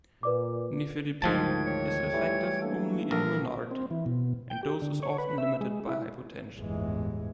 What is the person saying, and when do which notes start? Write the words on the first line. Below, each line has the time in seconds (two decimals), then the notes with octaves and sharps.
Nifedipine is effective only in a minority, and dose is often limited by hypotension.
0.23 A#2 B4 D5 D6
1.22 D2 G#2 D#3 F3 G5 A5 G#6
1.67 C#5
2.13 E3 G3 A3
2.62 A#3 D4 A4
3.11 A#1 A#4
3.71 C4
3.91 E3
4.06 B2
4.50 G5
4.63 G4
4.82 D3
5.03 C#5
5.18 B4
5.38 E5
5.61 G#3
5.87 E4
6.55 G1 E2 A2 E3 G#3